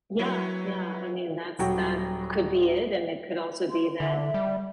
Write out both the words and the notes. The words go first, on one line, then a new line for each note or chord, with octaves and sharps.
Yeah, yeah, I mean, that's that could be it, and it could also be that
F#3 E4 B4 C#5
D#1 F#3 F#4 G5
C6
D3 E5
G3